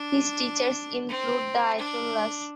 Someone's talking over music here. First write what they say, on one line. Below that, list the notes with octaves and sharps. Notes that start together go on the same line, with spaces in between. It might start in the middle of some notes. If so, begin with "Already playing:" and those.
His teachers include the Ayatollahs.
Already playing: D4
C4
D4